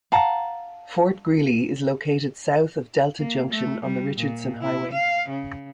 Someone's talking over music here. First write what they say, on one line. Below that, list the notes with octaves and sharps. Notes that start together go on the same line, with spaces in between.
Fort Greely is located south of Delta Junction on the Richardson Highway.
F5 F#5 A5 A#5
A#3
A3
G3
A#2
E4
F5
C#3